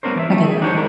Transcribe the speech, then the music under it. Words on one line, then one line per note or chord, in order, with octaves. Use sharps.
I get that.
G3 B3 C#4 D4 A#4 C5
E3 D5 E5
A3
G#4
D4 D#4 G4 C5 C#5
G#3 E4 A#4